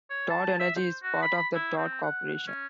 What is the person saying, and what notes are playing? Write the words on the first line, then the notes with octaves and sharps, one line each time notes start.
Todd Energy is part of the Todd Corporation.
C#5
A5
E5
C5
F#4
B5
B5
E4
C4
F#5
F#5
C#4